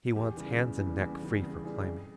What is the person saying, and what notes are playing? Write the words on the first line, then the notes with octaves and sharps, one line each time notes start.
He wants hands and neck free for climbing.
E2 G4
C#3 E3 G3
E2
C#3 E3 G3
E2
C#3 E3 G3
E2 G#4
C#3 E3 G3
F2